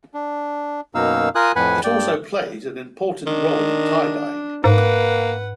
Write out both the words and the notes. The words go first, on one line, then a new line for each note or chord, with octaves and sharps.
It also played an important role in tie-dyeing.
D4
F#2 B2 A#3 D#4 F5 E6
F4 A#4 G#5 D#6 F#6
F2 A2 B4 F#5 G#5 B5
G2 D5 G5
D#3 D4
G#2 A#3 B4 F#5